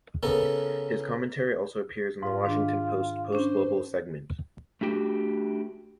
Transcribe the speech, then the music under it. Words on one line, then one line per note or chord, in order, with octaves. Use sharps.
His commentary also appears in the Washington Post's PostGlobal segment.
C#3 B3 A4 A#4
G#2 F4
G#2 D#3 D4
C#4 D4 C5
A3 D4 F#4 G4